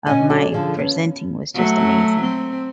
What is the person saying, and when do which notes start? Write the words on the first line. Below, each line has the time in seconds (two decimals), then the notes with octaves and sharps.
of my presenting was just amazing.
0.07 B2 C#4 D#5 G#5
0.29 F#3 F#4 A4 D5
0.52 D3 F3 G#4
0.77 B3 C#4
1.55 F#3 A3
2.22 C4